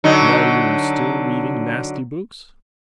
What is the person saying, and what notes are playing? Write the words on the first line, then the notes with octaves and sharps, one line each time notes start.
"And are you still reading nasty books?"
D3 F#3 D#4